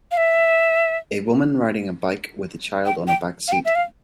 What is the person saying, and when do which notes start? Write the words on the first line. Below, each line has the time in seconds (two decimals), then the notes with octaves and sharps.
A woman riding a bike with a child on a backseat.
0.11 F5
0.17 E5
2.86 G5
3.08 G5
3.48 F5
3.52 G5
3.65 E5
3.75 F5